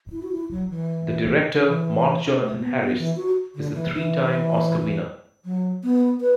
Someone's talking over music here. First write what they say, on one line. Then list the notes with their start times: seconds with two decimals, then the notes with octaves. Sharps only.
The director, Mark Jonathan Harris, is a three-time Oscar winner.
0.12 E4
0.23 F#4
0.32 E4
0.51 F#3
0.69 E3
1.65 E3
2.41 A3
2.60 B3
2.79 B3
2.98 E3
3.16 F#4
3.55 D3
3.74 E3
3.92 E3
5.45 F#3
5.83 B3
6.21 B4